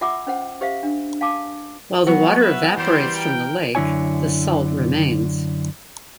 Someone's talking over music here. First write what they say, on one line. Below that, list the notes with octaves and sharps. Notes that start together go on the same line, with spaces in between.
While the water evaporates from the lake, the salt remains.
F4 E5 F#5 G#5 D6 E6
C#4 C5 F#5
G4 C5 E5 F5
D4
F5 G#5 A5 D6
F#3 B3 F#4
B4 E5
E3 G3 G4 C5
A#4 G5
F#2 D3 C4 E4 C#5 G#5